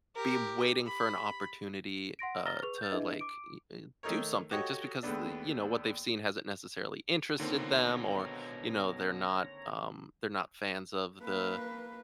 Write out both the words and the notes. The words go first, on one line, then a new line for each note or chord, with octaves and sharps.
be waiting for an opportunity, uh, to, like, i eh, do something just because, i you know, what they've seen hasn't necessarily interested them or, you know, they're not, um they're not fans of the,
G4 A#4
B5
F#5 C6 A#6 D7
A#5 F6 A6 A#6 G7
G#4 B4 C#6 F7
G6 A6
D4 E4 G#4 B4 D#5 E5
D6 D7
D#3 A3 D#4 A#4 C#5
F#4 G4 A4 C#5 D#5 F#5
D#2 G#3 A3 B3 D4
B2 D3 D#3 A#3 C4 F4 C#5 A#5
A#3 B4